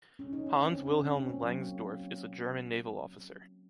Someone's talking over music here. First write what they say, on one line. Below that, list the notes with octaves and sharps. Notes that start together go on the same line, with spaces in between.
Hans Wilhelm Langsdorff is a German naval officer.
C#4
D#4
C#4
C4
C#4
C#4
C#4
C4
A#3
F#3